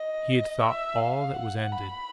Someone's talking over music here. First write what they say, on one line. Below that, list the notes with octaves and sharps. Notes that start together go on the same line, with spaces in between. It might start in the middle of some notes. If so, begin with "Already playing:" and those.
He had thought all that was ended.
Already playing: D#5
E5
F5
F#5
B5